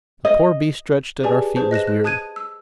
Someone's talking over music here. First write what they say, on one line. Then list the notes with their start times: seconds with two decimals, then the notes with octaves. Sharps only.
The poor beast stretched at our feet was weary.
0.25 D#5
1.23 G4 G#4 B4 D5 G#5 A5
1.56 G#4 B4 C5 A5
1.71 D#5 F#6 A#6 E7
1.87 F#6
2.04 A5 D#6 F#6 G#6 D#7
2.36 E6